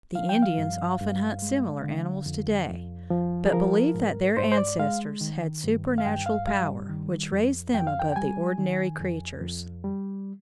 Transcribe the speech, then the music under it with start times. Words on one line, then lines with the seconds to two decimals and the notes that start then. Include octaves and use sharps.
The Indians often hunt similar animals to-day, but believe that their ancestors had supernatural power which raised them above the ordinary creatures.
0.15 F3 F5
0.29 G5
0.42 F5
0.58 G2
1.00 G2
1.42 G#3
1.84 D3
2.26 F2
2.68 F2
3.10 F3
3.46 G#4
3.52 F3 A#4
3.94 G#2
4.37 G#2 C5
4.52 C5
4.58 D5
4.79 G#3 F5
5.21 D#3
5.64 G2
5.98 F5
6.06 G2 G5
6.26 F5
6.47 G3 F5
6.89 D#3
7.32 F2
7.74 F2 G5
7.87 F5
8.00 G5
8.12 G5
8.16 G3 G#5
8.58 D#3
9.00 F2
9.42 F2
9.84 G3